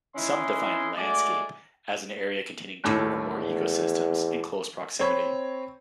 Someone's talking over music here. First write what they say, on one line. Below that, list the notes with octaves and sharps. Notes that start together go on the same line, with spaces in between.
Some define 'landscape' as an area containing two or more ecosystems in close proximity.
E3 C#4 D#4 E4 D#5 C6
G#3 A3 F#4 D5
D#2 A2
E2
C4 C#5 B5